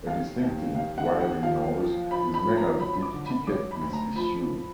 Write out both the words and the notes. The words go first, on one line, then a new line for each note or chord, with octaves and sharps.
A distinctive whirring noise is made as each ticket is issued.
D#2 F5
D#2
D#2 F5
F#5
D#2
F#5
F3 F5
F3
F3 B5
B5
F3
A#5
F#3 B5
B5
D6
D3
B5
F#3 D6
B5
D2
A#5
F3 B5